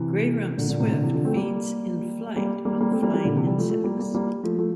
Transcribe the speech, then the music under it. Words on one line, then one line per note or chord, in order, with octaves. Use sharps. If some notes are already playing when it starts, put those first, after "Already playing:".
Grey-rumped swift feeds in flight on flying insects.
Already playing: C3 E3
A#2 D3
A#2 D3
A2 C3
A#2 D3
C3 E3
D3 F3
A3 C4
G3 A#3
G3 A#3
G3 A#3
G3 A#3
A3 C4
G3 A#3
G3 A#3
A#2 D3
C3 E3
E3 G3
F3 A3
F3 A3
G3 A#3
G3 A#3
G3 A#3
F3 A3
F3 A3